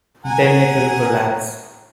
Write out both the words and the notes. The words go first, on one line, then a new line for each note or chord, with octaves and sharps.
Then it will collapse.
F#5 G#5 A#5